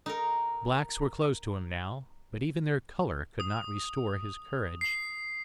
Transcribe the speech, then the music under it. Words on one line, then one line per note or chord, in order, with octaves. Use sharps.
The blacks were close to him now, but even their colour could not restore his courage.
D#4 A#4
D#6
C7